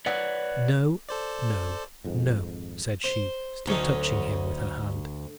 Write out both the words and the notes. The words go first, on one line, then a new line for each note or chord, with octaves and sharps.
"No, no, no," said she, still touching him with her hand.
B4 C#5 D5 F#5
A4 C5 D5
G#1 F2 G#2
C5
D2 F#3 C#4 D#4